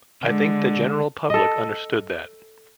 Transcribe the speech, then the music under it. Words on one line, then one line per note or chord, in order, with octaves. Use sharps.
I think the general public understood that.
D3 G#3
A4 D#5